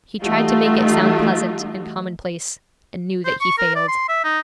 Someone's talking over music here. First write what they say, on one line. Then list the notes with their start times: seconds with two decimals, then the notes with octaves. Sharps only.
He tried to make it sound pleasant and commonplace, and knew that he failed.
0.23 E3 G3 A3 D#4 F4 F#4
3.25 C5
3.41 C#6
3.58 A#4
3.75 D5
3.88 C6
4.09 E5
4.24 D#4